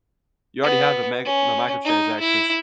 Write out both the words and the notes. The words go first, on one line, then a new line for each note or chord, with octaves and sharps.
you already have the meg the microtransactions,
B3
C#4
D#4
E4